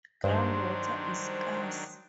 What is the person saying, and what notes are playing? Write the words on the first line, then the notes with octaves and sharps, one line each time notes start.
Ground water is scarce.
G2 D#3 F#3 D4 C5